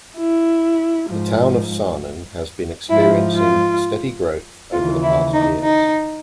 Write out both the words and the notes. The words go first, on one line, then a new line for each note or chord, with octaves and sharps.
The town of Sarnen has been experiencing steady growth over the past years.
E4
G#2 F3
G#2 F3 E4
F4
D#2 C#3 E3 F4
E4
D#4
D#4